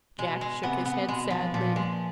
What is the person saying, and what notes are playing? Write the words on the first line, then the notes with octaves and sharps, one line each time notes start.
Jack shook his head sadly.
B2 G#3
G#3
C3 B3
B3
B2 G#3
F3
A#2 F3
G#3